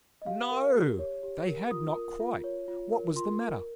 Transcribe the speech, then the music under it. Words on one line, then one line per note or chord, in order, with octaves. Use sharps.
No! they had not quite: what was the matter?
D#5
G4 F5
A#4
G4
C#5
G4
A#4
F4 D#6
A#4
F4
C#5
F4
A#4
F4 C6
A#4